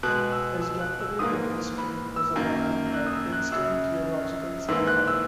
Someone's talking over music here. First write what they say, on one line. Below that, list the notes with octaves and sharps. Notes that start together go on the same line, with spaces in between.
His doctorate in history was awarded by Princeton Theological Seminary.
B2 G#3 F#6
E6
E6
F#6
E6
G#2 E3 A#3 D#6
B5
E6
F#2 D#3 A#3
F#6
D#6
E6
F#6
F#2 C#3 F#3 E6
G#2 E3 A#3 E6
F#6
E6